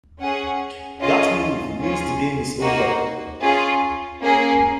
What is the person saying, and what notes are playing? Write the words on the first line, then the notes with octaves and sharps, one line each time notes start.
That move means the game is over.
C#4 G#4 F#5
C#4 F4 G#4 D#5
C#4 F4 G#4
A#3 D#4 F#4
C#4 F4 G#4
A#3 C#4 G#4